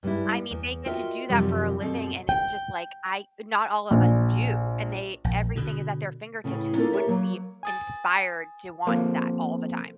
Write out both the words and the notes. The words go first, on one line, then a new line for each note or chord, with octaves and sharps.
I mean, they get to do that for a living, and it's just like I not all of us do, and they everything is at their fingertips. Who wouldn't be inspired to want that all the time?
G2 G3 G#3 E4
E2
F4 F#4 A#4 D#5 E5 G5
F#2 C3 D#3 F3 G3
F#2 B2 C4 A4
G5
A#1
A#1
B2 D3
A2 C#3 E3 A3
A#3 D4 D#4 F4 A4 A#4
G4 A#4 C#5 E5 A5
F#3 A#3
G#5 D#6 A6
F3 A#3 C4 A4 C5